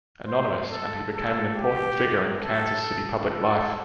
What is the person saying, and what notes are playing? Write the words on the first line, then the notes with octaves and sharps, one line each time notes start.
Anonymous” and he became an important figure in Kansas City public life.
C5
A4
A4
G4
A4
A4